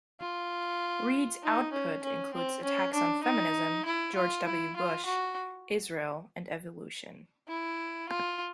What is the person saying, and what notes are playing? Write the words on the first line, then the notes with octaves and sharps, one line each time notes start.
Reed's output includes attacks on feminism, George W. Bush, Israel and evolution.
F4
D#4
C#4
C#4
C4
C#4
D4
D#4
E4
F4
E4
F4
F#4
E4
F4